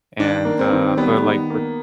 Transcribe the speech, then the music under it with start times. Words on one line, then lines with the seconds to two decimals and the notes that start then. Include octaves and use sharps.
and, uh but, like, with
0.19 D#3 D4
0.45 A#3
0.59 C4
0.71 D#3
0.97 G3 B3
1.24 D#3
1.50 A#3